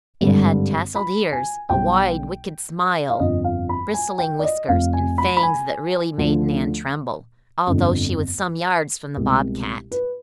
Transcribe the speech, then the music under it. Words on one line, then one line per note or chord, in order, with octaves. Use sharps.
It had tasseled ears, a wide, wicked "smile," bristling whiskers, and fangs that really made Nan tremble, although she was some yards from the bobcat.
G#1 G2 D3 G3
B5
G#5
B1 B2 G3 G5
F5
G1 F2 D3 F3 D#5
F5
B5
G#5
G5
D5
D#5
F1 F2 C3 F5
G#5
B5
B5
G#5
D2 D3 F3
G1 F2 D3
C2 B2 G#3
B4